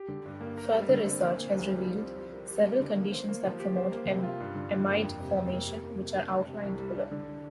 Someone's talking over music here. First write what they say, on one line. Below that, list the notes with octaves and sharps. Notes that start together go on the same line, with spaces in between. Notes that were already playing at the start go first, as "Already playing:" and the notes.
Further research has revealed several conditions that promote amide formation, which are outlined below.
Already playing: G4
D3
G2
A#3
A#4
G3
D3
C4
A#3
A#2
C2
G3
F3
C4
F3
A#4
G4
G3
D3
A#3
C5
A#3
F3
G4
C5
A#3
C3
F4
G2
D3
G2
A#3
F2
C3
F2
A#3
G4
A#3
C3
D4
D4
C3
C2
G3
D4
D3